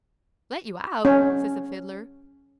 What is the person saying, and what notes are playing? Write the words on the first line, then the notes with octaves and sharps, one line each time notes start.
"Let you out?" says the Fiddler.
C#4